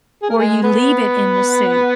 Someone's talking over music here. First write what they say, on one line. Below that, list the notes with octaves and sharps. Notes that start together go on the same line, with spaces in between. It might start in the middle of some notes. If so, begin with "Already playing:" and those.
or you leave it in the soup
G#4
A#4
G#3 G#4
B3 B4